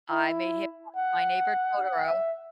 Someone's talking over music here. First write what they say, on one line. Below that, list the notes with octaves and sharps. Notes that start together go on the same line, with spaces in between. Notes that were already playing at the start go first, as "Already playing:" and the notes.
I made him watch My Neighbor Totoro.
E4
F#5
E5